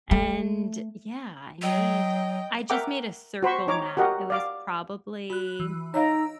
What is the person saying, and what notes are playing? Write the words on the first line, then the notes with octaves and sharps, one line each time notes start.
and, yeah, I made I just made a circle mat. It was probably,
A3
F#3 D#5 G5
A#4 E5 F#5 G5 A#5 D6
F#4 C5 B5 C#6
D#4 C#5 A#5 D6
F#4 G4 A#4 D#5 F#5
D5 F5 D6
F#4 B5 F#6
E3
D#4 C#5 D#5 F5 A#5 E6 D7